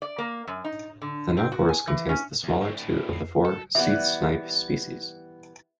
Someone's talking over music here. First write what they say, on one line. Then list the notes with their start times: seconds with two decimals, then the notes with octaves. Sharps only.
"Thinocorus" contains the smaller two of the four seedsnipe species.
0.02 D5
0.18 A#3
0.48 F#2
0.64 D#4
1.02 D3
1.37 C4
1.52 F#4
1.69 G#5
1.87 E3
2.09 C#4
2.44 E2
2.61 C4 C#5
2.75 D2 A2
3.09 F2 C7
3.45 F#4 A4
3.75 E3 G3 B3 E5